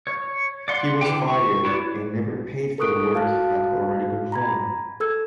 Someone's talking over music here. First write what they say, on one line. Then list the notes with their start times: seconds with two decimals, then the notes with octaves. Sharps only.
He was fired and never paid for the work he had already performed.
0.07 C#5
0.68 D5 F#5 C6
1.01 D3 E3 G4 G5
1.27 C#6
1.65 E4 F#4 B4 C#5 D5
2.78 A4 A#4 C#6 D#6 F#6 D7
3.14 F#4 F5 A5 F#6
4.32 A#5 B5 G#6
5.00 A4 E6 G#6